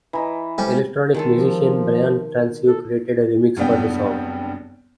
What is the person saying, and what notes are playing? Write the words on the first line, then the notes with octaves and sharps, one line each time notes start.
Electronic musician Brian Transeau created a remix for the song.
E3 D#5 A#5 B5
G3 G#3 C#4 G4 A4 C5
D#3 G#3 A4
F3
A4
F#1 G2 C3 G3 B3 G5